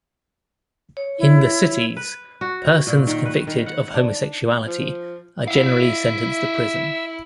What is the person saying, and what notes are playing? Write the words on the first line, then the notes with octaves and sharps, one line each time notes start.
In the cities, persons convicted of homosexuality are generally sentenced to prison.
C#5
E4
B4
F#4
A#2
D#3
B4
D#3
F#5
D4
F3
E4 E5 F5